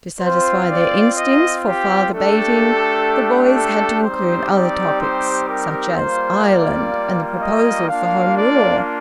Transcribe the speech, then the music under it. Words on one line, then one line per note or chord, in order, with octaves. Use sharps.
To satisfy their instincts for father-baiting, the boys had to include other topics, such as Ireland and the proposal for Home Rule.
C4 F4 C5
D5
D#5
G4
A3 D4 G4 A4
A4
G3 C4 D#4 G4 C5
D5
C5
A#4
G3 A#3 F4 C5
D5
D#5
A#3 D4 F4 F5
D5